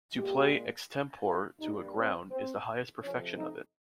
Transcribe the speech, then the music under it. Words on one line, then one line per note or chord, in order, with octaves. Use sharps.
To play extempore to a ground is the highest perfection of it.
A#2 G#3 G4
F4
G2 G3 A#3 D#4
C4
C4
F2 C3 F3 C#4
D#4